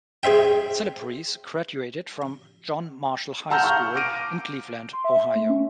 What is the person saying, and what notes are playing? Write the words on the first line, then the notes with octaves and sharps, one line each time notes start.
Celebrezze graduated from John Marshall High School in Cleveland, Ohio.
G#4 C5 E5 G5
F#5 A5 A#5 E6 F6 G6
F5 C#6 F6 G6
D6 F6 A#6 D7 D#7
C6
E5
A3
C#4